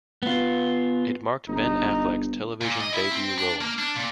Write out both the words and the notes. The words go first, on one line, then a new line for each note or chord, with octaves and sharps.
It marked Ben Affleck's television debut role.
B3 F4
G1 D#4
A#2
D#5
E4
C4
D4
A#3
D4
A#2